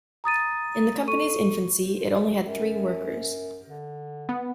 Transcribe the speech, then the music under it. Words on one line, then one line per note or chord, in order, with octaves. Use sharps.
In the company's infancy, it only had three workers.
A#5 D#6 A6 D#7
A4 C#6 D#7
F#2
D3
B3